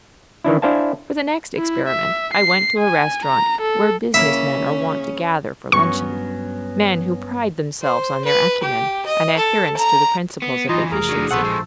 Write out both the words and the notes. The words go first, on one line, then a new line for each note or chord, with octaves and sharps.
For the next experiment I went to a restaurant where business men are wont to gather for luncheon, men who pride themselves on their acumen and adherence to the principles of efficiency.
D#3 E3 D4 E4
D4 E4 C5 F5 G#5 A5
E4
E5
C7
G#5
A#5
A4
C#3 A#3 C#4 E4 E5
G2 F#3 B3 C#4 C#6
C5
B4
G4
D#5
A4
A#5
B3
F#2 E3 D#4 F4 D#5 A#5
F1 E2 G#4 A#4 A#5
D3 F#3
A#1 A3 B3 A4 C5 F#5
B1 G#3